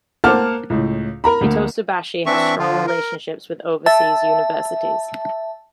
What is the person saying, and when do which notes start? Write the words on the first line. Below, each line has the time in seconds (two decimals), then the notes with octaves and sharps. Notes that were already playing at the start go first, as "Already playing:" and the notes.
Hitotsubashi has strong relationships with overseas universities.
0.24 A#3 C5 F#5 A5 D6 F6
0.70 C#2 A2
1.24 A#4 A#5 B5
1.41 D2 A#3
2.26 E3 C4 D4 E5 C#6
2.59 D3 F3 F4
2.87 A#4
3.86 E5 A5